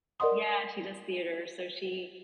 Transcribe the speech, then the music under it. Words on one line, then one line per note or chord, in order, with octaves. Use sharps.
Yeah, she does theater, so she
A#4 D5 D#5 F#5 C6 D#6